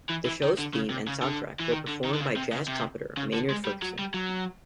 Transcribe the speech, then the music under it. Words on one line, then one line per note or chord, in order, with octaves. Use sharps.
The show's theme and soundtrack were performed by jazz trumpeter Maynard Ferguson.
E3
E3
D#3
D3
C#3
C3
C#3
D3
E3
D#3
D3
D#3
D3
C#3
C3
C#3
C3
C#3
D3
G#3
G3
F#3
G3
F#3